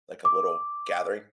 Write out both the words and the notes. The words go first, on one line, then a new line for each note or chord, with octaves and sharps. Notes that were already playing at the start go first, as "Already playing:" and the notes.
Like a little, gathering,
D6